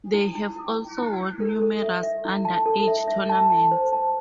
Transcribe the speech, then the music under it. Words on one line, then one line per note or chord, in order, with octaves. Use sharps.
They have also won numerous underage tournaments.
E4
E4
E4
E4
E4
E4
A4
A4
E5
E5
E4
A5
A4
E5
E5
A5
A5
C5
A5